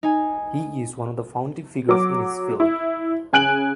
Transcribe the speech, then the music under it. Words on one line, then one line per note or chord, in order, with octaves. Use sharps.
He is one of the founding figures in his field.
D#4 G#5
F#3 D6
E4
C#3 G#5 F#6 D7 F#7